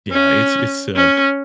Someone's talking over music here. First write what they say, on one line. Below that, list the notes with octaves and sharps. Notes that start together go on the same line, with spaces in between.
Yeah, it's it's, uh
C#4
C#4